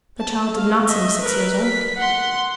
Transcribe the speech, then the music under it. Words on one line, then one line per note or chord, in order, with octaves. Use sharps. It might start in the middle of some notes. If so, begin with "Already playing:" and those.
The child did not seem six years old.
A5
F5
D#5 E5
A#4 B4
B6
F#5 C6